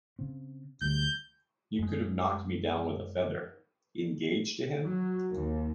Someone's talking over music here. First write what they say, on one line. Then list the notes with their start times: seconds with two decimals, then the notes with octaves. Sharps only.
You could have knocked me down with a feather. "Engaged to him?"
0.19 C#3 C4
0.82 D2 D3 G3 G6
1.79 F#2 G#3
4.81 F#3
5.32 D#2